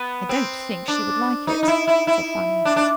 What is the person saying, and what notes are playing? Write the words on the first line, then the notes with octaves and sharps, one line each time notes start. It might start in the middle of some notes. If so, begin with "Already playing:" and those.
"I don't think she would like it," said Fanny.
Already playing: B3
C4
D4
D#4
D#4
E4
E4
E4
D4
D4